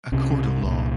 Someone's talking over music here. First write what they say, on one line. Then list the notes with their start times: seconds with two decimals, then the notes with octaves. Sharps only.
A court of law.
0.12 C2 C3 C#4
0.64 C2 A#2